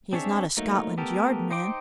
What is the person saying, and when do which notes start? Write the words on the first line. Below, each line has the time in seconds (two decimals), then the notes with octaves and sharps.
He is not a Scotland Yard man.
0.13 C4 D4 G#4 C#5 E5
0.57 F#3 A3 A#3 D#4
0.98 A3 B3 G4 A4 A#4
1.51 D#4 C5 G5 D6